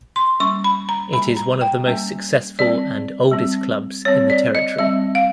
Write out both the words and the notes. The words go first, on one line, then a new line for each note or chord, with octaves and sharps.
It is one of the most successful and oldest clubs in the territory.
C6
G3 A#3 C#4 C#6
B5
A#5
G3 A#3 C#4 B5
A#5
G5
G3 A#3 C#4
G3 C4 D5
G3 C4
G3 C4 C#5
D5
D#5
G3 C4 E5
F5